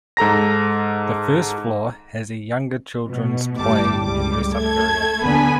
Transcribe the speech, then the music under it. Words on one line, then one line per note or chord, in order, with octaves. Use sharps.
The first floor has a younger children's play and dress up area.
G#2 A4 A#5 A#6
B2
G1 A2 G3 A5 D6
C#2 G3 D6
A3 A4 G#6
D#2 D3 B3 G#5 B5